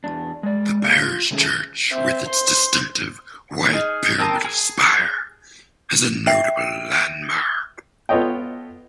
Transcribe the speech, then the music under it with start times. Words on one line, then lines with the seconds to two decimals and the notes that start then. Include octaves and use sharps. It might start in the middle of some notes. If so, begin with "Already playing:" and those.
The Parish church, with its distinctive white pyramidal spire, is a notable landmark.
0.04 E2 D4
0.43 G#3 D5
0.83 A2 C3 A#3 G4 F5
1.03 F4
1.31 C3 D#3 A3 C#4 G#4
1.91 C4 E5
2.29 C5 C6
3.73 D#4 G#4 F6
4.19 C4 A#4 A5 D#6
4.44 G#4
6.27 E5 G5
8.09 B3 F4 A4 C#5 D#5 G5